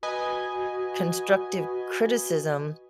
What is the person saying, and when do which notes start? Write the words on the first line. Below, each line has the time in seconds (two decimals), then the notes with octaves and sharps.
constructive criticism
0.03 F#4 B4 D#5 G#5